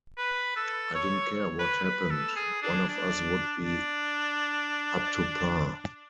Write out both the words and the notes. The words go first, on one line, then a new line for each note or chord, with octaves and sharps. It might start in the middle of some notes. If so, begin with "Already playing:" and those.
I didn't care what happened-one of us would be up to par.
B4
A4
C#5
B4
B4
A4
G#4
D4
D4
D4